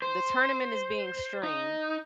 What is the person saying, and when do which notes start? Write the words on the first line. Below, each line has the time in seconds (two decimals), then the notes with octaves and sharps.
the tournament is being streamed
0.02 C5
1.43 D#4